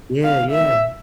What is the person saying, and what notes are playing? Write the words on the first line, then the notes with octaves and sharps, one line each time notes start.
Yeah, yeah.
F5
E5